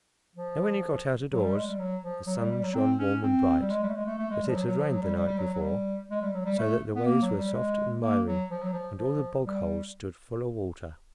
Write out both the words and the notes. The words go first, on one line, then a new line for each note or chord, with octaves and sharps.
Now when he got out of doors the sun shone warm and bright; but it had rained the night before, so that the ways were soft and miry and all the bog holes stood full of water.
F3
F#3
G3
G#3
G3
F#3
F3
F#3
G3
G3
F#3
C4
C#4
C4
G3
G#3
G3
A3
G#3
A3
A3
G#3
G3
F3
F#3
F#3
F3
F#3
G3
G3
G3
F#3
F#3
G3
G#3
G3
F#3
G3
A3
B3
A#3
F#3
G3
G#3
A#3
F#3
F3
F#3
F3
F3
G3